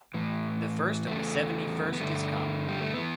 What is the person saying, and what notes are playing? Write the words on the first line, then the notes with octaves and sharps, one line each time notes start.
The First of the Seventy-First is come.
A2 E3
E2 C#3 A3
B3
G2 D3 A3
G3
A3
E3 B3